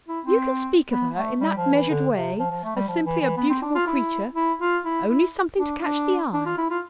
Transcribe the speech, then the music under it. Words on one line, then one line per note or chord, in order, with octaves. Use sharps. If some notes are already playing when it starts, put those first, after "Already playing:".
You can speak of her in that measured way, as simply a "beautiful creature"--only something to catch the eye.
E4
C4
B3
A3
G3
F3
E3
D3
C3
F3
F3
A3
G3
F3
E3
E3
B3
C4
D4
F4
E4
E4
F4
E4
E4
D4
D4
D4
F4
E4
F4